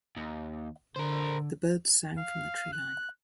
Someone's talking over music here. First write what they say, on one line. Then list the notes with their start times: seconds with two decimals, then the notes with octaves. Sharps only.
The birds sang from the treeline.
0.17 D#2
0.96 D3 A#4 C5
2.18 F5
2.72 F#6